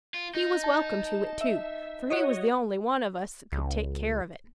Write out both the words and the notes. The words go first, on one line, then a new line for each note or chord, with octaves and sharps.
He was welcome to it too, for he was the only one of us that could take care of it.
F4
D#4
A5
E5
F#4 C#5 D#5
C#2